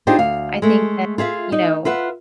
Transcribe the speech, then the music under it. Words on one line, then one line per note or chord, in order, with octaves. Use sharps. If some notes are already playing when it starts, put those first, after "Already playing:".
I think that, you know,
D4 D#4 F4 G4 G#4 C5
D2 F5
G#3 A3
F4 G#4 E5 F5
D#4
F4 B4 E5 F#5